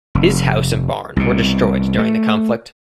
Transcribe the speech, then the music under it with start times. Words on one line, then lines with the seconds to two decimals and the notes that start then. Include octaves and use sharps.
His house and barn were destroyed during the conflict.
0.15 F1
1.16 C2 B2
1.98 A3